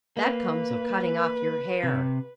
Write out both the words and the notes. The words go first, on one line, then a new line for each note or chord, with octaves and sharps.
"That comes of cutting off your hair."
A#3 B4
C3